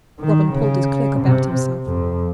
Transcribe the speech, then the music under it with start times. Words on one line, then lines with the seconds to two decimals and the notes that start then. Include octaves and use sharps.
Robin pulled his cloak about himself.
0.20 D#3
0.52 C#3
1.20 C3
1.86 F2